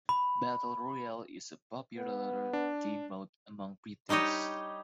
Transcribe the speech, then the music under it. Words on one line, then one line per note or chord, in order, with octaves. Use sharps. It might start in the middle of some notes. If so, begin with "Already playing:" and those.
Battle Royale is a popular gamemode among preteens.
B5
B3
D4
G3 D#4 G4 C#5 D#5